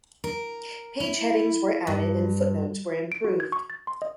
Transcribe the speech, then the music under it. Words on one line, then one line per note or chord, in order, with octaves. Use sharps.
Page headings were added and footnotes were improved.
A#4
E4
G2
D7
F#4
G#6
C#6
A6
C6
D#5